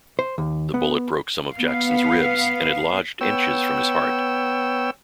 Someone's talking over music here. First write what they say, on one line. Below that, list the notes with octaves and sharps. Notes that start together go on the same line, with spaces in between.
The bullet broke some of Jackson's ribs, and had lodged inches from his heart.
C5
D#2
B3
B3 F5
B3 C#5 G5 E6